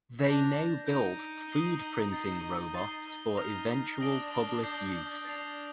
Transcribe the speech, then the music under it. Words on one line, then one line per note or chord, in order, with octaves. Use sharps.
They now build food printing robots for eventual public use.
D4 G6 A#6 F7
D#4 G6 D7 F7
D#6 G6 C7 D#7 G7
A6 C7 G7
A6 C7 G7
D#4 F6 A#6 F7
D4 D#6 A#6 D7 G7
D#6 G6 C7 G7
D4 A6 C7 F7